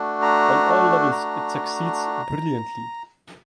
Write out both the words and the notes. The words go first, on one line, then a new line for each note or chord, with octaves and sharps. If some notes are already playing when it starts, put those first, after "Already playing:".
On all levels it succeeds brilliantly.
Already playing: A3 D4 F#4
A#5
A#5